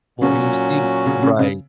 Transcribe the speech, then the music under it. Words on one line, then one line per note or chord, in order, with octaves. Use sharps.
Well, and you see right.
A#2 C#3 F#3 C#4 F#4
C#3
C#3
C#3